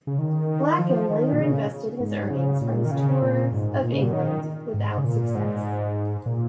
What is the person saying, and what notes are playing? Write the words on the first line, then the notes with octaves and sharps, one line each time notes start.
Blackham later invested his earnings from his tours of England, without success.
C#3
D#3
F3
D#3
A#2
C#3
G#2
C#3
A#2
D#3
C#3
A#2
G#2
A#2
C#3
A#2
D#3
G#2
C#3
A#2
G#2
A#2